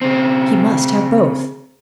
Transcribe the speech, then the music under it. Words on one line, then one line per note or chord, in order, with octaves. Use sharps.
He must have both.
C#3 C4